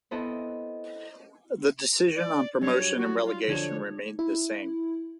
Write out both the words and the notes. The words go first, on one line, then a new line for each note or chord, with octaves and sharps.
The decision on promotion and relegation remained the same.
B3 C4 E4 A4 D#5
D5
F#3 G3 D4 C#5
F#4
F4
D3 F3 D4 C#5
E4